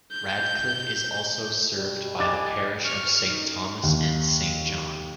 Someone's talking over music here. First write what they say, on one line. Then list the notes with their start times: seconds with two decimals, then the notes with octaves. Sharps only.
Radcliffe is also served by the Parish of Saint Thomas and Saint John.
0.12 G6
1.76 B2 G3
2.19 D#5 G5 G#5 D6 F#6 A6
2.84 C#6 F6
3.27 D#4
3.83 D#2